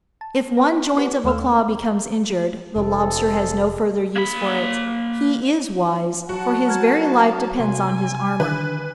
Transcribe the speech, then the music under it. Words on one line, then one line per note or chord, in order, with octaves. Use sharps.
If one joint of a claw becomes injured the Lobster has no further use for it; he is wise, for his very life depends on his armour.
A5
B4 C#5 A#5
G4 B4 C5 F#5 C6
D#2 A3 A4 F5 E6 F6
F1 D2 C3 A4
A#3 B5
F#3 F#4 F#5 A5
A#5 F6 G#6
C3 G#5 C6
D3 D#3 D4 B4